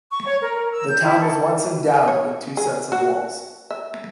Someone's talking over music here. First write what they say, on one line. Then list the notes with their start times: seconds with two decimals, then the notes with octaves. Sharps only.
The town was once endowed with two sets of walls.
0.12 C#6
0.26 C#5
0.41 A#4
0.54 A#4
0.73 E6
0.88 G6
1.03 E4
1.20 A4
2.08 C#5
2.57 G#4
2.92 F#4
3.70 E5